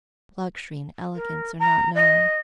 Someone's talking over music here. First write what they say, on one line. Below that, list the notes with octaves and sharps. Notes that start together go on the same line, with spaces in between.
Luxury and elegance are not known.
A#4
A#5
D#5